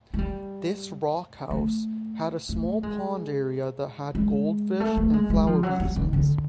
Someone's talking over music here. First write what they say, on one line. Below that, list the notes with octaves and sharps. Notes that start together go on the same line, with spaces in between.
This Rock House had a small pond area that had goldfish and flower basins.
G#3
G3
A3
A3
G#3
G#3
A3
A3
G#3
G#3
F3
F#3
G3
D#3
D3